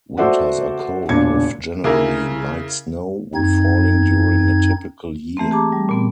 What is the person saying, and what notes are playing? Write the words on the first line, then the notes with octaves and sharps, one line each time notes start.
Winters are cold with generally light snow, with falling during a typical year.
F#4 A4 C5 D5 E5 F#5
E1 A#2 D4 G#6 C#7
C#3 A#3 E4 G#4 A#4
F#2 C4 D#4 G#6
E3 A3 A#3 C4
G4 G#4 A5 A#5 D6
G3
A#2 B3 C4